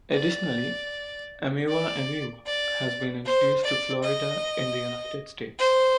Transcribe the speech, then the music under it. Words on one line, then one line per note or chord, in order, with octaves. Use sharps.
Additionally, "Ameiva ameiva" has been introduced to Florida in the United States.
D5
D5
D5
C5
D5
D#5
C5